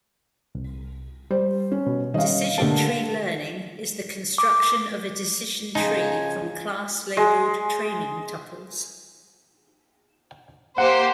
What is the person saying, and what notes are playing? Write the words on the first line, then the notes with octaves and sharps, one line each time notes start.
Decision tree learning is the construction of a decision tree from class-labeled training tuples.
C2
G3 C5
C#4
B2
D#3 G3 C#4 D#5 F5
D3 A3 A#3 G4 A5
D6
C#3 F3 D#4 G#5
G#3
A#3 G4 C5 F#5